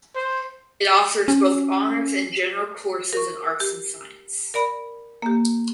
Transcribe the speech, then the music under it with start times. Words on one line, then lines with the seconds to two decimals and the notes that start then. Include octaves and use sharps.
It offers both honours and general courses in arts and science.
0.15 C5
1.28 C#4
3.13 A#4 C#6
3.60 G4
4.54 A#4 D5 B5
5.22 A#3 G4